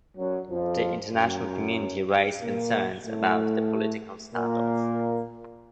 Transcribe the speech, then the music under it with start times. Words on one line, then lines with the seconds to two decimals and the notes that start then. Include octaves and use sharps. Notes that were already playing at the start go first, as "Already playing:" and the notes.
The international community raised concerns about the political standoff.
0.17 F#2 F#3
0.49 F2 F3
1.13 F#2 F#3
2.41 A#2 A#3
3.05 A2 A3
4.33 A#2 A#3